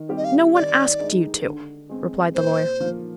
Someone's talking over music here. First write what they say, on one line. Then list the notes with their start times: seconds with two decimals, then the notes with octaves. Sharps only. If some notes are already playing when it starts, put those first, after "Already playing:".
"No one asked you to," replied the Lawyer.
Already playing: D#3
0.09 G3 C4 G4
0.17 D#5
0.25 F5
0.54 D#3 D5
1.00 G#3 D#4 G#4
1.45 D3
1.89 G#3 C4
2.35 A#2 C5
2.80 F3 A#3